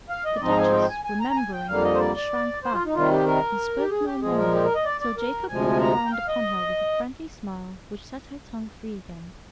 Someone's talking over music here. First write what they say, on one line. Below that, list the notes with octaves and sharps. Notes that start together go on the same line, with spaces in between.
The Duchess, remembering, shrank back, and spoke no more, till Jacob looked round upon her with a friendly smile which set her tongue free again.
F5
D#5
D5
G#2 F3 C4 D#4 D#5
A#5
G#5
G5
G#5
G#5
A#5
A#5
G#5
G5
F2 D3 G3 A#3 F5
D#5
C5
D5
D5
C5
F4
D#4
C3 D#3 G3 F4
G4
A#4
G4
G#4
G4
A#2 F3 G#3 G#4
A#4
G4
A#4
D#5
D5
D5
A#4
D2 C3 F3 G#3 G#5
A#5
G5
F5
D#5